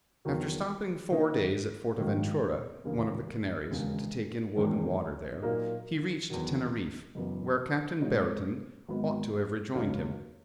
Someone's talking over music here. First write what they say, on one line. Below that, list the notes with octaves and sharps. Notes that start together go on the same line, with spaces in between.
After stopping four days at Fortaventura, one of the Canaries, to take in wood and water there, he reached Teneriffe, where Captain Brereton ought to have rejoined him.
E2 D#3 F#3
D#3 A#3 D#4
A#1 G#2 D#3 F#3 A#3
E1 D#2 C#3 E3 A#3
E1 D#2 C#3 G#3
E1 E2 D#3 G#3 C#4
A#2 F#3 A#3 D#4 A#4
E2 D#3 F#3
F#1 F#2 E3 B3
A#2 G#3 D#4 F#4 C#5
G#1 G#2 F#3 B3
C#2 C#3 F#3 C#4